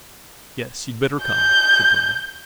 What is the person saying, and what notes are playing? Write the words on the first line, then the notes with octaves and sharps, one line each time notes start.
"Yes, you'd better come," said Thorndyke.
G6